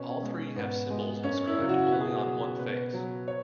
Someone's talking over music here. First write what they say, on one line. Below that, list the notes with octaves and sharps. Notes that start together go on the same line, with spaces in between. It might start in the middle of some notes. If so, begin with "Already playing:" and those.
All three have symbols inscribed only on one face.
Already playing: B2 C#4
G#3
G#2 B3
G#3
F#2 C#4
E4
C#3 F#3
F#4
B2 B4
G#4
F#4
G#4
F#3
B2 B4
F#3
C#5